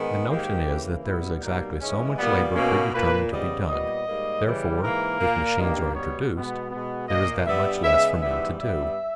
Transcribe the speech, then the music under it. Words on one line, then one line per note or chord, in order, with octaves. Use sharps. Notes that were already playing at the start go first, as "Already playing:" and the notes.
The notion is that there is exactly so much labor predetermined to be done; therefore, if machines are introduced, there is that much less for men to do.
Already playing: G#2 D#3 G#3 B3
G#2 D#3 A#3 G4
C#3 E3 A#3
A#2 G3 B3 E4
B2 G3 A#3 D#4
G#2 E3 G#3 C#4
A#2 G3 A#3 B3
B2 A#3 C#4
A#2 A#3 B4
C#3 G3 B3 D#5
A#2 G3 B3 D#5
G#2 G3 A#3
C#3 E3 G3
G#2 E3 A#3 A#4
A#2 A#3
G2 D#3 A#3
B2 G3 B3 C#5
B2 G#3 B3
B2 G#3 B3
A#2 A#3 D#5
G2 G3 B3 E5
C#3 G#3 B3 E5
G#2 E3 G3 B3 E5
G2 G3 B3 E5